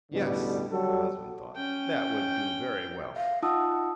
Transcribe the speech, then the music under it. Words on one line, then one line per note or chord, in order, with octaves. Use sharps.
Yes, the husband thought that would do very well.
A1 E2 B2 D3 G3
F#3 G3 F#4 A4
C#4 G5
E5 F5
D#4 F4 F#5 A5 D#6 E6